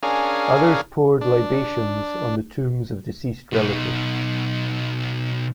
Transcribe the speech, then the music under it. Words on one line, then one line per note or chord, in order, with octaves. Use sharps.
Others poured libations on the tombs of deceased relatives.
C#4 D4 G#4 A#4 F5
D4
B2 D#4